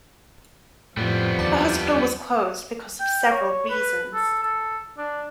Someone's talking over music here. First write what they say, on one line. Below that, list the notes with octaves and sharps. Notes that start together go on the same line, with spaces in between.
The hospital was closed because of several reasons.
F2 A2 F3 G3 B3
D#2 D5 A5
G5
C#5
B4
A4
A4
D4